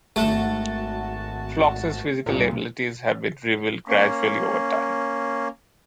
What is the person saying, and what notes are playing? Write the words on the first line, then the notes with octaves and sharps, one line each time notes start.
Phlox's physical abilities have been revealed gradually over time.
G#1 A3 F#4 A5
C2 G2 A#2
A#3 C#4